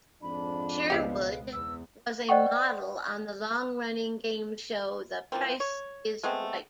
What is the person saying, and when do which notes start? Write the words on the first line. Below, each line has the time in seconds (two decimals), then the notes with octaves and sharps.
Sherwood was a model on the long running game show "The Price Is Right".
0.22 F2 G#2 D4 B5
0.90 C#2 B2 G#3 B3 C4 G4 F5
1.53 E2 B3 E6
2.29 C5 D5 D#5 F#5 G5 C#6
5.32 E3 F3 A#3 C4
5.60 C#5
6.23 G#3 A3 B3 C4